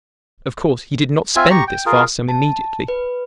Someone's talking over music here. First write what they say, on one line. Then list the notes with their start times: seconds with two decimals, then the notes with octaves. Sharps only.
Of course, he did not spend this vast sum immediately.
1.36 C4 F4 E5 G#5
1.51 G4 A#5 C#6
1.68 G5
1.86 F4 G#4 A#4
2.28 A5
2.88 B4